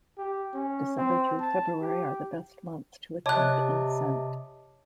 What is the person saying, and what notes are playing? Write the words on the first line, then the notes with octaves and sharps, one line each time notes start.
December through February are the best months to attempt an ascent.
G4
C#4
C4
A5
G4
C3 C#5 D#5 A5 D6 F#6